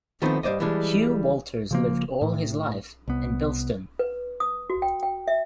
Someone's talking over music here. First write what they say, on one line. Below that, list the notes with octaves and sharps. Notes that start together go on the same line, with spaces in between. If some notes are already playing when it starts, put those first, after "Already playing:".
Hugh Walters lived all his life in Bilston.
D#3 F3 A3 B3 C4 D#4
G2 A#3 C5 D5 D#5
E3 G3 G#3 D4
C#3 F3 A#3
A2
C2 B3
B4
D#6
F#4
G5
G5
E5